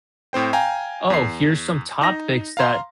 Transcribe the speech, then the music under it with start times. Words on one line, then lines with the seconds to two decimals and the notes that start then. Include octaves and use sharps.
"Oh, here's some topics that
0.33 A2 C4 C5 G5
0.53 F5 G5 G#5 A#5
1.10 E2 C7
2.01 D#4 A#6
2.57 F5 A#5 C6